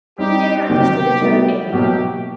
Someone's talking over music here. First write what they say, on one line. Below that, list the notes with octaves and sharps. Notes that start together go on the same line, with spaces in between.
He never understood a joke anyway.
G3 C4 D#4 G4
C3 D#3 F#3 A#3 G4
G3 B3 D#4 F#4
B2 F#3 A#3 G4